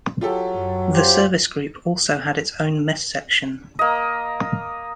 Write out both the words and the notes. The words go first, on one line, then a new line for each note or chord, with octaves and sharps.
The service group also had its own mess section.
F#3 F4 G4 A4
F#2
F4 G4 C5
A#3 D#5